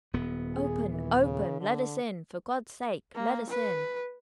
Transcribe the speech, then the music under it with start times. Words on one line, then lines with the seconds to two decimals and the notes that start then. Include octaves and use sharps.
"Open! open! let us in! for God's sake, let us in!"
0.13 D#1 B3
0.55 G#4
0.90 E3
1.22 C#3
1.61 D3
3.15 A#3
3.50 B4